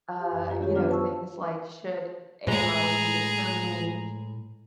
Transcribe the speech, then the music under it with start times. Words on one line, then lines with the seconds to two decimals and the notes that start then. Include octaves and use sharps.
uh, you know, things like, "Should AI be determining,
0.20 G4 F5
0.32 F#2
0.50 F4 G4 A#5
0.62 D#3 C#4 F#4 G4 C#5
0.75 F#3 B3 D4 F4 A5 F6
0.89 B4 C5 A5 C#6 E6
2.47 A2 G#3 G#4 A#5